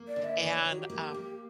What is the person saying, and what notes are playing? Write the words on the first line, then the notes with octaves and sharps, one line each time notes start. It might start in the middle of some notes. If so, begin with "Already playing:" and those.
and, um,
Already playing: A#3
D5
D3
E5
D#3 D5
C#5
D#3
F#4
G4
A#3
A#3